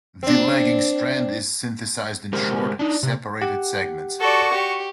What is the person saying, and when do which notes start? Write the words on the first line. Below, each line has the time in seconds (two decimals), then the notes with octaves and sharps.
The lagging strand is synthesized in short, separated segments.
0.23 C4 D4
2.33 G#3 G4 A#4 C5
2.79 D4 D#4
3.03 C3
3.42 G4 F#5
4.20 F#4 A4 D5 C#6
4.51 G4